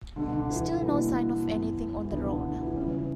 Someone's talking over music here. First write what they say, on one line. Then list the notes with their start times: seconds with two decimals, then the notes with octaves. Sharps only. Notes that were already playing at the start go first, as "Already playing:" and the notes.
Still no sign of anything on the road.
0.16 C#2 B2 D3 G3
0.33 D3
0.50 E3
0.81 B2 E3 G3 A#3 D4 F#4
1.46 G2 F#3 B3
2.05 E3
2.11 C#2 B2 D3 F#3 B3
2.28 D3
2.44 D3
2.61 E3
2.76 C#3 E3 G3 C#4
2.92 E3